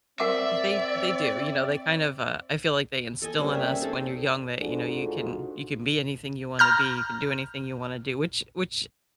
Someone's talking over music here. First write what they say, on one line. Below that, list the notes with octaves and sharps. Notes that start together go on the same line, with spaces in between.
They they do, you know, they kind of, uh I feel, like, they instill in us when you're young that, you know, you can you can be anything you wanna be, you can do anything you wanna do, which which
C4 A#4 D5 E5 F#5 D6
A4 D#5 G#5
C3 G3 A#3 C#4
E5
C#4
C4 D#4 G#4 A4
G#2 D4 F4 F#4 G#4 A4
A#5 F6 G6